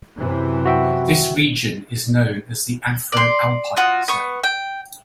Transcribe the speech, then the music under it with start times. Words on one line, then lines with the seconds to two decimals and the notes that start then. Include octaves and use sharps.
This region is known as the Afro-alpine zone.
0.18 F#2 C3 E3
0.66 F#4 E5 G5
3.12 D5 C6
3.76 F4 F#4 D#6
4.08 B3 C#6
4.44 G5